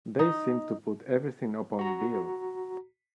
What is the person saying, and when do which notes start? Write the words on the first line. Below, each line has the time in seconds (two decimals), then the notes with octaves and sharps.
They seem to put everything upon Bill!
0.19 D#4
1.79 F#4 A#5